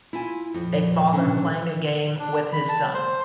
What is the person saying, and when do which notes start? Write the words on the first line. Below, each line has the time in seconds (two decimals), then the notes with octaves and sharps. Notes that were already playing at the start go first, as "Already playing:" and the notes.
A father playing a game with his son.
0.13 E4 F4 G#5
0.54 F2 A#2 F3
1.13 D3 C#4
2.20 D4
2.53 B5
2.69 A5
2.94 C5